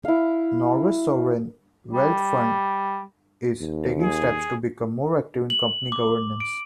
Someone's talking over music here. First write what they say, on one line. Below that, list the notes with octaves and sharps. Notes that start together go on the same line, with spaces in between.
Norway's sovereign wealth fund is taking steps to become more active in company governance.
E4 F5
G3
D#2
G#4
F#7
D6
D7